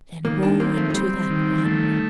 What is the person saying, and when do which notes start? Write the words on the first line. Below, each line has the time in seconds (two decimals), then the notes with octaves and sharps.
"Then woe unto that one!"
0.25 D#3 A#3
0.43 D4
0.60 A#3 C4
0.77 A3
0.90 F3
0.94 G3 C4
1.30 D#3
1.64 A3